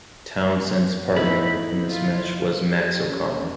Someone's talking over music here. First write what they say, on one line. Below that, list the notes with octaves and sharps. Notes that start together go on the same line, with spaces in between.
Townsend's partner in this match was Max O'Connell.
E2 A2 D#4 E4 B5
F4
G4
C#4